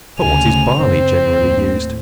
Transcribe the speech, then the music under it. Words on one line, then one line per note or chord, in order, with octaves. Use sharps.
For what is Barley generally used?
D2 C#3 G#5 F7
F#1 C4
D#2 A2